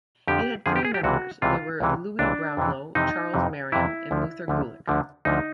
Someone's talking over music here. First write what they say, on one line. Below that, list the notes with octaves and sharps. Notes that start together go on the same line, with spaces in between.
It had three members; they were Louis Brownlow, Charles Merriam, and Luther Gulick.
F2 D3 F3 G4
F2 D3 F3 G#4
G4
G#4
G4
C#2 C3 E3 F#4
C#2 C3 E3 F4
C#2 C3 E3
C#2 C3 E3 D4
F2 C3 E3
F2 C3 E3 D#4
F2 C3 E3
F2 C3 E3 E4
D2 D3 F3
D2 D3 F3
D2 D3 F3
D2 D3 F3 D#4